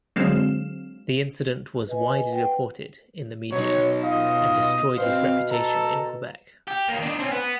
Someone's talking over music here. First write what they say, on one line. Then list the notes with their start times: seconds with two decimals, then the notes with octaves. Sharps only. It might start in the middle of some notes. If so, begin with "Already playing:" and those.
The incident was widely reported in the media and destroyed his reputation in Quebec.
0.16 D3 F#3 G#3 C4 F5 E7
1.87 B4 D#5 G#5
2.29 B4 F#5 G5
3.52 B2 F#3 D#4 C#5
4.03 F4 D#5
4.98 B2 C4 C5 F5
5.51 A4 A#5
6.68 G4
6.88 D#2 A#3
7.02 D4 D#4
7.19 C4 C#4
7.31 B3